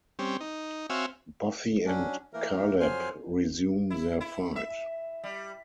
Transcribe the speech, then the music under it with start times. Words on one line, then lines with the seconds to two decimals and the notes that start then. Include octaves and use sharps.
Buffy and Caleb resume their fight.
0.19 G3 C4 C#4
0.41 D#4
0.90 C4 F#4 C#5 E5 F5 G#5
1.86 F#3 C#4 D4
2.34 E3 A3 A#3 A#4
2.80 F2 F#3 C5 G#5 C6 F6
3.90 E4
4.21 E4
4.56 E5
5.24 G3